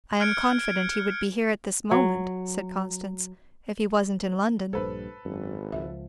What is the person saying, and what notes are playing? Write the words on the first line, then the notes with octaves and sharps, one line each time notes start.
"I am confident he would be here at this moment," said Constance, "if he wasn't in London."
F6 F#6 G#6 C#7 D7
F#3
A#1 G2 A4 B4 C5
G#1 F#2
C#2 F3 E5